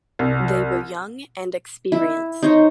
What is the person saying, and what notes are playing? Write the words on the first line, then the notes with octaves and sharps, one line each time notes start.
They were young and experienced.
C2
E4
D#4 C5 C#5